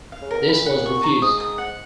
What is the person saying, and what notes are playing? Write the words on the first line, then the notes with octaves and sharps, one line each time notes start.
This was refused.
F5
C#3
B2 A#4
A#2 B5
F#5
C#6
A#5
G#2 D#6
D#6
F#5